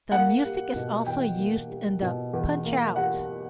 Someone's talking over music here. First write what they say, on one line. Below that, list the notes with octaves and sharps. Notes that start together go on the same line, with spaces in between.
The music is also used in the Punch-Out!!
A#3 F#5
G3
B2
E2 G5
A#3
G3
B2
E2
A#3
G3 F#5